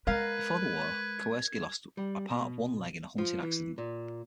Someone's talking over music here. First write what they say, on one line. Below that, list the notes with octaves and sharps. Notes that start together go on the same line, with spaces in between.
Before the war Kowerski lost a part of one leg in a hunting accident.
G#3 A#4 B4 F5 G#6
G3
B2
F3
E3
A#2